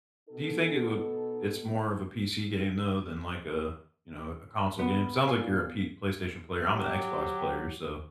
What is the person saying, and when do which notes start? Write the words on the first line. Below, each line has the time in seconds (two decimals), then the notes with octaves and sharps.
Do you think it would it's more of a PC game, though, than, like, a, you know, a console game? Sounds like you're a P PlayStation player. I'm an Xbox player, so
0.30 B2 D#4 A4
4.79 B3
5.27 A#2 F5 G#5
6.68 F#3 G4